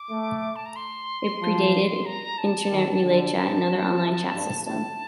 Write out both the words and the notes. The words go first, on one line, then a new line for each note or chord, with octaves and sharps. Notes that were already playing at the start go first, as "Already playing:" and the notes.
It predated Internet Relay Chat and other online chat systems.
Already playing: D6
A3
A5
A#5
C6
F3
A#5
A5
D#3
D3
A5
C3
G2
A2 A5